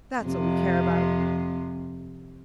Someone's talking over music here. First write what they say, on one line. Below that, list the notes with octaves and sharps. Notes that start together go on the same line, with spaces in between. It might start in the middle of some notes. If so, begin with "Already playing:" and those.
That's what we care about.
F2 C3